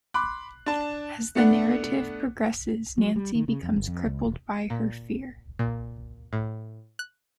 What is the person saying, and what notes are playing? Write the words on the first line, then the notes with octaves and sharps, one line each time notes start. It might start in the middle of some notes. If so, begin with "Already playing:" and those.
As the narrative progresses, Nancy becomes crippled by her fear.
B5 C6 D6 F#6
D4 A5
A3 B3 D4 F#5
F#3
G3
D#3
C#3
F2
G1
F2
C#2
E1
A#2
A#2
A2
F#6